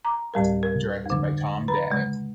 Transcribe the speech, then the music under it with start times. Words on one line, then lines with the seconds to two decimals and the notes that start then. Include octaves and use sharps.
Directed by Tom Dey.
0.05 A#5 D6
0.34 D2 A2 G3 A#4
0.63 A#4
1.06 F2 D3
1.68 B4 A#5 B5
1.91 C#3 G#3